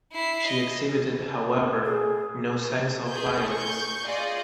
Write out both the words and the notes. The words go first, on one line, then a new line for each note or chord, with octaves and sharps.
She exhibited, however, no signs of violence.
E4 C7
D#5
G#4
G#4 B4 G6
C#6 G6
F4 G#4 D5 D#5